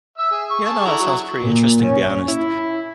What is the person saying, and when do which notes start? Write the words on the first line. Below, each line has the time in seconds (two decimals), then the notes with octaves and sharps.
Yeah, no, that sounds pretty interesting be honest.
0.18 E5 E6
0.31 G#4
0.51 C#6
0.65 G#4 A5 C#6
0.85 D3 E4 A#5
1.00 F#3
1.42 A#2
1.83 C#4
2.28 E4